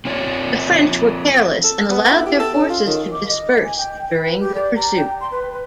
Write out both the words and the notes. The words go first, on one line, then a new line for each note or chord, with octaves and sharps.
The French were careless and allowed their forces to disperse during the pursuit.
C4 F4 C#5 D5
A4
B3
E4
G4
A4
C#4
F4
D#3
D6
D#5
G#5
G5
B4
G4
D5
A#5
G5
C6
B4
B4